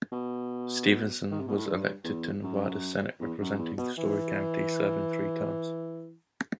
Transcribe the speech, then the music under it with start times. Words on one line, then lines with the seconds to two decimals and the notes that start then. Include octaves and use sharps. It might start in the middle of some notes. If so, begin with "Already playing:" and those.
Stevenson was elected to Nevada Senate representing Storey County, serving three terms.
0.12 B2
1.31 D#3
1.40 C3
1.48 B2
1.56 A2
1.66 G2
2.04 E2
2.43 F#2
3.20 E2
3.40 F#2
3.58 E2
3.78 B2
3.98 E3